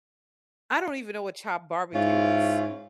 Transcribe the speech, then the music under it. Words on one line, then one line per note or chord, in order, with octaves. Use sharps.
I don't even know what chopped barbecue is.
G#2 C#4 E4 F4